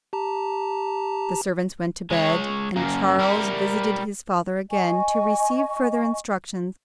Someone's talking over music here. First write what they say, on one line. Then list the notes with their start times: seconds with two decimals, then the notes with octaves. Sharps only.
The servants went to bed, and Charles visited his father again, to receive further instructions.
0.13 G4 A5 A#5
2.11 G#3 C#5
2.76 F#2 A#3
3.19 G3 A#4
4.70 D#5 G#5 C#6